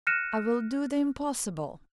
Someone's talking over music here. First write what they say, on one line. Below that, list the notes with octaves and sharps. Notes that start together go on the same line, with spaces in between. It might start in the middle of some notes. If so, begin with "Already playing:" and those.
I will do the impossible.
F6 F#6 A#6 C#7 D#7 E7